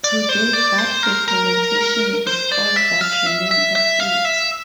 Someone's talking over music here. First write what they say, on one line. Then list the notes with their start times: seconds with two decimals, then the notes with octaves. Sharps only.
Today that documentation is all that remain of it.
0.04 D5
0.29 C5
0.53 D5
0.78 C5
1.03 A#4
1.28 A#4
2.27 C5
2.52 D5
2.76 E5
3.01 F5
3.26 E5
3.51 E5
3.76 E5
4.00 F5
4.25 E5